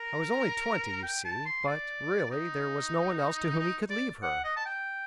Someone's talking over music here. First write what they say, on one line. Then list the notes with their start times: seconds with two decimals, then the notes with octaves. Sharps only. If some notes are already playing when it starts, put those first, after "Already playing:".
I was only twenty, you see; but, really, there was no one else to whom he could leave her.
Already playing: A#4
1.03 G5
1.25 A5
1.45 C6
1.67 D5
2.31 D#4
3.59 D#4
3.90 D5
4.22 F#5
4.44 D#5
4.56 A5
4.66 G5